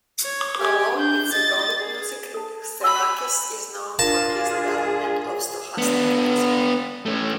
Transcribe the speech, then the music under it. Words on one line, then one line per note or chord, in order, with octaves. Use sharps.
Along with symbolic music, Xenakis is known for his development of stochastic music.
C#5
G4 G#5
D4 G6
D#5 A6
G#4
A4 A5
G#5 B5 C6 E6
D4 F4 G#4 A#4 F5 A5 A#6
B3 D4
A3 C#4